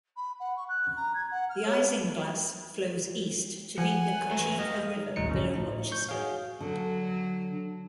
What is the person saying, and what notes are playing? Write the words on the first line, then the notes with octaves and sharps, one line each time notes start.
The Isinglass flows east to meet the Cochecho River below Rochester.
B5
F#5
C#6
F#6
A#5
G#6
F#5
F6
C#5
F3 F#5 G#5
E3 F#3 A3
G4 D#5 F5
D#4
A1 D2 F#3 D#4 C#7
G2 C#3 F3
A2 D#4
C#6 G6
F#4 G#4 C#5 F5
D3 F#3